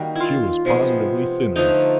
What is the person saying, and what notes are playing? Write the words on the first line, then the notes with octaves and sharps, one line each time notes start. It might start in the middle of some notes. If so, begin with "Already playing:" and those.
She was positively thinner.
Already playing: D#3 G3 A#3 F#4
E4 F4
C3 F3 G#3 B3
D3 F3 A3 D#4